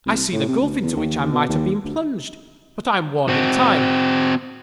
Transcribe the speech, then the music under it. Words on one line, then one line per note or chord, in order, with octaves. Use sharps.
I see the gulf into which I might have been plunged; but I am warned in time.
C2
A2
C3
D2
E2
D#2
B2
D#2
D2
C4 F#4